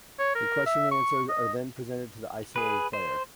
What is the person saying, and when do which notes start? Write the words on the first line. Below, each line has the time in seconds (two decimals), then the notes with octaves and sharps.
The question and answers are then presented to the isolated player.
0.19 C#5
0.35 A#4
0.66 E5
0.91 C#6
1.29 D#5
2.56 G#4 B4
2.93 C5